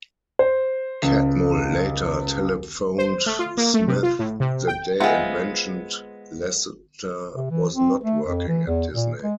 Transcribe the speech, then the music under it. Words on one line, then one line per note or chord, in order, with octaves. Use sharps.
Catmull later telephoned Smith that day and mentioned Lasseter was not working at Disney.
C5
C#2
C5
A3
F4
A#3
A3
C3
F4
A2
C3
G5
G#3 B3 C4 F4 E5 F#5 G#5
C3
E3
C4
A3
F2
E3
E2
A#2
G#3